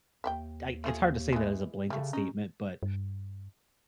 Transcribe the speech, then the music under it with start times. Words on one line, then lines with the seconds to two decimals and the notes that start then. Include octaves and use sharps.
I, it's hard to say that as a blanket statement, but
0.24 D#2 E5 F#5 G5
0.84 A3 F4 G#4
1.33 E3 G#3
1.90 C#3 G3 A3
2.13 C#4 D#4
2.83 G2